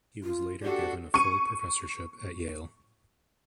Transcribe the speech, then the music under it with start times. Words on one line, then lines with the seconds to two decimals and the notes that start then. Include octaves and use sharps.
He was later given a full professorship at Yale.
0.23 F4
0.63 D4 F#4 G4 A4
1.14 C#6 D#7